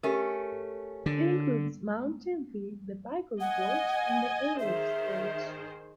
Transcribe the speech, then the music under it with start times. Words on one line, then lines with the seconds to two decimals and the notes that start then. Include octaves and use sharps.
It includes Mount Tymfi, the Vikos Gorge and the Aoos Gorge.
0.03 A3 C#4 G4 A#4
1.06 D3
3.40 D#5 F#5 G#5
4.60 D#3 G#4 C5 E5